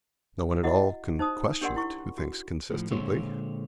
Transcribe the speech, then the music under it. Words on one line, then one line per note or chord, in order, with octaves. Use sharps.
'No one at all can question it who thinks consistently.'
E4 F#4 D#5 F#5
D#4 C5 A5 D#6
D4 G4 A#4 D5 F#5 C6
E4 C#6
F#4
A2 F3
A#2 D3 G#3 C5 C#5